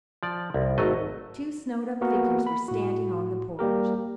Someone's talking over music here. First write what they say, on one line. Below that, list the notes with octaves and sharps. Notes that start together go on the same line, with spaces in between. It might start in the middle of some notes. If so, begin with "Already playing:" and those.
Two snowed-up figures were standing on the porch.
F3 D5
C2
G#1 F#3 A3 D#5
A#3 B3 F#4 A#4
B5
A2 F#4
G3 A#3 G4 A#4